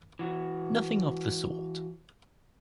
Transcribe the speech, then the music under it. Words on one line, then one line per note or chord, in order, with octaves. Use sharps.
Nothing of the sort.
E3 F#4